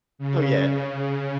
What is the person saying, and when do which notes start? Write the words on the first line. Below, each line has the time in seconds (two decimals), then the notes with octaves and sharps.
Oh, yeah.
0.18 C#3